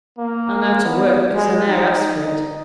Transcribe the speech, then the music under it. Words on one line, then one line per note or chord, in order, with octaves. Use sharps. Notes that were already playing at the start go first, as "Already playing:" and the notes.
I'm out o' work because I ne'er asked for it.
A#3
B3
G#3
D#4
D#4